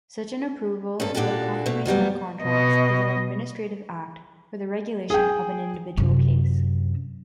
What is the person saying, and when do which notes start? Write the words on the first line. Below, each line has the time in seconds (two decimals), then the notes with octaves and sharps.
Such an approval or confirmation of contracts is an administrative act for the regulation of an individual case.
1.00 G2 C#4 A4
1.15 A#2 D4 F#4 G4 A4
1.66 B2 A3
1.85 F2 F#3 G3 B3
2.41 B2 D#5
5.10 G#4 G5
5.97 F#2 C3